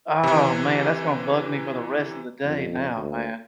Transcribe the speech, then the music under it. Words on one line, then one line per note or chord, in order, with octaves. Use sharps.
Oh, man. That's gonna bug me for the rest of the day now, man.
C3 E3
F2
D2